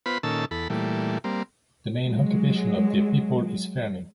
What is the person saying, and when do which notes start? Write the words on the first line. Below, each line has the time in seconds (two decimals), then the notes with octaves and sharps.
The main occupation of the people is farming.
0.06 B3 F4 B4 C5 B5
0.23 A#2 D#3 C#4 A4 A5 E6
0.51 E2 A4 B5
0.70 A#2 E3 G3 A3
1.24 G3 A#3 C4
2.03 F#3 G#3